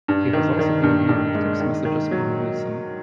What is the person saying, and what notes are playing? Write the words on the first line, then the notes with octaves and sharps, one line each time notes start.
He has also been ignoring text messages from Wilson.
G2
D#3
D#3
G2
G2
G#3
D#3
D#3
F#3